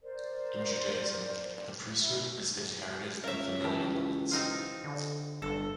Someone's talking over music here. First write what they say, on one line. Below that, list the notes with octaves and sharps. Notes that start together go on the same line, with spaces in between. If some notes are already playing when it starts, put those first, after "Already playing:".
In Judaism the priesthood is inherited in familial lines.
A#4 C5 D5
E4
C#2 A#4 C#5 E5 F5
E3 G4 G5 A5
C4 D#4 F4
D3
G1 G2 A4